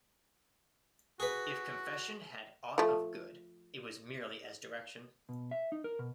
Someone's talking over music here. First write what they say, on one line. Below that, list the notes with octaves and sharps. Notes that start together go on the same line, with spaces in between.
If confession had aught of good it was merely as direction.
F#4 G#4 B4
F3 A3
B2
E5
D#4
A#4
B2